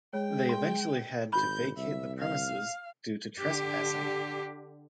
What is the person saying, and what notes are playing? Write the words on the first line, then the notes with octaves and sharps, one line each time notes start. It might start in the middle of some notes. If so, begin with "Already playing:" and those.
They eventually had to vacate the premises due to trespassing.
G#3 C#5 G5
C6
G#1 F#4 B5 G6
C2 E5
F5
D3 G4